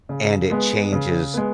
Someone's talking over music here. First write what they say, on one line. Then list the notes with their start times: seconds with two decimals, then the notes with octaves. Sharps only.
and it changes
0.09 C#3
0.50 G#3 B3
0.93 C#3
1.34 G#3 B3